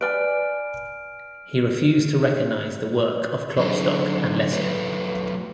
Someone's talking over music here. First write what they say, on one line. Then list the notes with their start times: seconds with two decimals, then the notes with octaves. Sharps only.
He refused to recognize the work of Klopstock and Lessing.
0.01 B4 D5 G#5 F6 D7
3.58 D3 F#3 C#4 D#4 G#4 A4
4.52 F#3 A3 B4